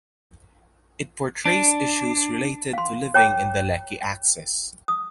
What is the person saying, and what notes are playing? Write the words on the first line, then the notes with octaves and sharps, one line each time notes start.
It portrays issues related to living in the Lekki axis.
D4
F5 C6
C#5 G5 A#5 D6
D#6